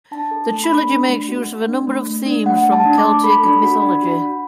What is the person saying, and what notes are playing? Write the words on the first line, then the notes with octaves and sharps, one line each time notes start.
The trilogy makes use of a number of themes from Celtic mythology.
D4 A5
A4
A3
B5
D4
D4
A3
F#4
A3
D4
A3
A3
D4
A3 F#5
A3
A5
D4
D6
A3
A4 B5
D4
F#4
D4
F#4
F#4